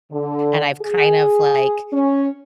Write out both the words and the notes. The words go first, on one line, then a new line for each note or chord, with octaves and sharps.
and I've kind of like,
D3
G#4
C#4